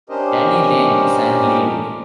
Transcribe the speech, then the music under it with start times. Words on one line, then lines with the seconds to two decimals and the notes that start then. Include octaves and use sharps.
Denny Laine sang lead.
0.10 C#4 D4 G4 A#4 C5 D#5